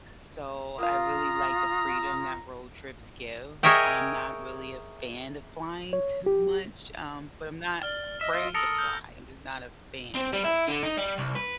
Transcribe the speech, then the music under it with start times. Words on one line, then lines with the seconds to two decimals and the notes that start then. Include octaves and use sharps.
so I really like the freedom that road trips give, I'm not really a fan of flying too much, um, but I'm not afraid to fly, I'm just not a fan of it,
0.78 A#3 F4 F5 A#5 D#6
3.63 G#4 A#4 C#5 D#5 E5 G5
5.93 C#5
6.26 G4
7.83 D5 F6 G7
8.21 D#5 E5
8.33 F4 E5
8.54 A4 A#4 D#6 E6 A#6 C#7
8.78 F6 G6
10.15 C4
10.33 G3
10.44 E4
10.68 D3
10.83 D#4
10.97 G3
11.18 C2
11.35 B4